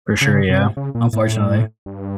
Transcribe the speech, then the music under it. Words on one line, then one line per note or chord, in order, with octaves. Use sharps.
For sure, yeah, unfortunately.
C#3
C3
C#3
A#2
A2
G2